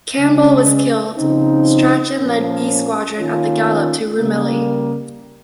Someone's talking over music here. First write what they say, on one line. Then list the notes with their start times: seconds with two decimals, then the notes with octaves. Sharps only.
Campbell was killed, Strachen led 'B' Squadron at the gallop to Rumilly.
0.18 C#3 G#3 C#4
1.18 C#3 F3 C4 D#4
2.18 A#2 F3 A#3 C#4
3.18 D#3 A#3 C#4 F4
4.18 C#3 G3 A#3